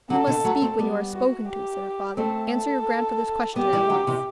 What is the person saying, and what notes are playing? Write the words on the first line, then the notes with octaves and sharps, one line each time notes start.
"You must speak when you are spoken to," said her father; "answer your grandfather's question at once."
D3 F#3 A4
B2 D3
F#3 A3
A3 C4
G3 B3
F#4
G4
A3 C4 A4
A4
G3 B3 G4
E3 G3
D3 F#3
C3 E3